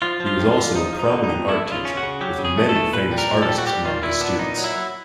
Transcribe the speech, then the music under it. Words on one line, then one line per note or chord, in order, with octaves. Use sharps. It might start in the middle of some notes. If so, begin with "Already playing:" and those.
He was also a prominent art teacher, with many famous artists among his students.
F3 F4
F3
F4
F2
D3 F4
F3 D#4
F3
D#4
D3
D#4
F2
A3 E4
C#3 E4
F4
C#4
F#4
C#3
F#3 G4
C#3
G#4
A3
A4
A3
A#2 B4
G3
A#4
A#2
A4
G3
F#4
G3 G4
A#2 F4
A#2 E4
B3 D4
A#2 D#4
F#3 D#4
E4
F#3